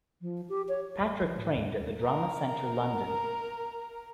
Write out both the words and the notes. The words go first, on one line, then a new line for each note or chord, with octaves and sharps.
Patrick trained at the Drama Centre London.
F3
G4
C#5
F2
F3
A2
D#2
A#4 A#5